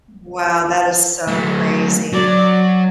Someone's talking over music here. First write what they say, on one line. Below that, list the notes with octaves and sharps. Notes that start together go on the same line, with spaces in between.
Wow. That is so crazy.
F#3 A3
F#3 D5